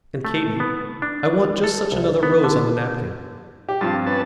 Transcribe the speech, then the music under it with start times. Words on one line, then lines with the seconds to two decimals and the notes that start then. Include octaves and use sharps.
And Katy, I want just such another rose on the napkin.
0.25 A3
0.60 B3
1.02 D4
1.64 A4
1.92 C2
2.23 B3
2.44 D3
3.69 G4
3.81 G2 F3 C4 A5
4.06 C#4 B4 A5